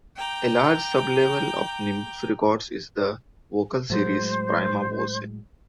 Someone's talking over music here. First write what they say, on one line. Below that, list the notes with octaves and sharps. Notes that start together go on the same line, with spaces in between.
A large sub-label of Nimbus Records is the vocal series "Prima Voce".
G5 A#5 D6 G6
A2 F#3 G#3 C5